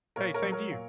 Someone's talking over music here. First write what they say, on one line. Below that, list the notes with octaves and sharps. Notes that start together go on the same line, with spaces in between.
Hey, same to you.
A#2 A#4 C#5
A#4 C#5
F#3
A#4 C#5
A#2